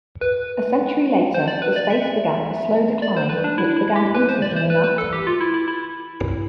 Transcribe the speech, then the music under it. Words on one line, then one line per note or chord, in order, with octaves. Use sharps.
A century later, the space began a slow decline, which began innocently enough.
B4
C5
D5
B4
D5
E5
D5
C5
B4
D4
E4
E4
G4
B4
C5
D5
C5
B4
B4
A4
G4
F4
E4
E4
E4